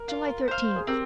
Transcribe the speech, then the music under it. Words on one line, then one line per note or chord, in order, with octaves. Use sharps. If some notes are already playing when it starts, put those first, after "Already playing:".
July Thirteenth.
Already playing: A#4
F4
C5 F5
G#4
C4 G4 A#4